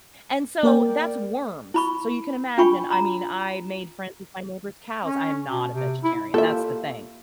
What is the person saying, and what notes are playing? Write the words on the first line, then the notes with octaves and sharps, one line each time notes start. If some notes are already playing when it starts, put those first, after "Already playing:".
and so that's worms, so you can imagine I mean, I made friends with my neighbor's cows I am not a vegetarian, that's the thing.
A#3 A#4 D5 G5
E4 B5 C#6
D4 F4 G5 G#5 B5 C#6
A#5 B5
C#4
B2
C3
E4
A#3 F4 G4 A4 E5